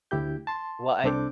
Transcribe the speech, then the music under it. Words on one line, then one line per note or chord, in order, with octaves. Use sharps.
well, I
D2 E4 G4 G6
A5 C6
C2 C4 D4 A4 D6 G6